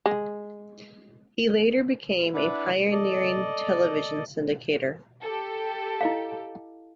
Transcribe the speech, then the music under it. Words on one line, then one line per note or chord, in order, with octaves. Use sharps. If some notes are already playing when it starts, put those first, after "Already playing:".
He later became a pioneering television syndicator.
G#3
D4 E4 B4 F#5
A4 D5 D#5
G4 A4
E4 D#5 F5